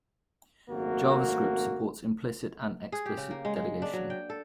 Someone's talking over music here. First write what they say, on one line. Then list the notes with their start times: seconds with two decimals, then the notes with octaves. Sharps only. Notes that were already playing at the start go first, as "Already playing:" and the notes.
JavaScript supports implicit and explicit delegation.
0.70 G#1 C#2 F#2 A3 A#3 F#4
2.92 G#4
3.06 G4
3.17 C#3
3.31 A#3
3.45 G#3
3.56 G#3
3.82 D4
3.93 F#3
4.10 G5
4.30 A4